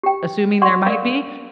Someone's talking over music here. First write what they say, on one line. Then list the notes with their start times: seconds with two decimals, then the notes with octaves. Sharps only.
assuming there might be,
0.03 G4 G5
0.62 D5 F#5 C6 C#6
0.86 A#4 D5 F5